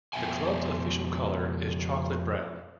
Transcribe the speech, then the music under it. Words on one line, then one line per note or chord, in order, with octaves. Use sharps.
The club's official colour is chocolate brown.
F2 B2 E5 G5 G#5